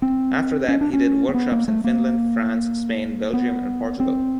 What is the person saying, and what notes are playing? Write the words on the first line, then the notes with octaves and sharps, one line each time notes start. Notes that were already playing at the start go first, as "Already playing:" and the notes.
After that he did workshops in Finland, France, Spain, Belgium, and Portugal.
C4
C#4
D4
C#4
C4
B3
A#3
A3
A#3
B3
C4